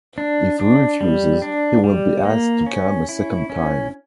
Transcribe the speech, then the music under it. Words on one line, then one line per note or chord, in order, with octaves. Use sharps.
If he refuses, he will be asked to come a second time.
D4
D4
G3
D4
G3
A#3
C#4
E4
C#4